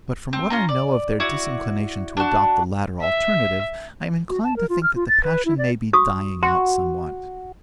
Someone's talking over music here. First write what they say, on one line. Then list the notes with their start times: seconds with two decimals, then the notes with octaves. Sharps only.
But from what I know of their disinclination to adopt the latter alternative, I am inclined to think that the passion may be dying out somewhat.
0.33 C4
0.50 C#4 F4 A#5
0.69 D5
1.20 E4 F#4 D5
2.17 D4 F#4
3.01 E5
4.29 F#4
4.44 A5
4.56 A#4
4.69 F4
4.83 F6
4.95 F4
5.08 A6
5.24 B4
5.45 E4
5.58 D5
5.93 F#4 C#6 D#6
6.43 F#4 C6